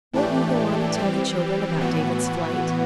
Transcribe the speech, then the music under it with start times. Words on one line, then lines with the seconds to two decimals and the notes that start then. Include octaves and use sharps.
"Won't you go on and tell the children about David's flight?"
0.13 A2 E3 A3 D4 G4
0.97 E3 G3 C4 G4
1.81 A2 E3 B3 F#4